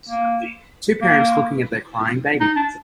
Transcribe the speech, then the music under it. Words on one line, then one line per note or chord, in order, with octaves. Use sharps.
Two parents looking at their crying baby.
A#3
A#3
D#4
D4